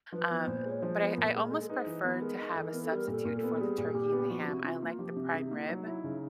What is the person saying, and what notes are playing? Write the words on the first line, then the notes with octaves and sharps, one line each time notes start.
um, but I I almost prefer to have a substitute for the turkey and the ham, I like the prime rib.
F3 B4
B3
A#2 C5
G#3 C#5
F3 C5
B3
A#2 A#4
G#3
G#3 G#4
A4
D#4 B4
C5
E3 B4
B3
G#3 A#4
D#4
E3 A4
B3 A#4
A4
G3
A#4
A#2 A4
A#2 A#4
A4
B3
G3 G#4
A#2
A#2 G4
B3
F3 F#4
G4
C3 F#4
C3 F4
A#3
F3 G4
C3
C3 G#4
D#4
A#3
E4
F#3 D#4
E4
C#3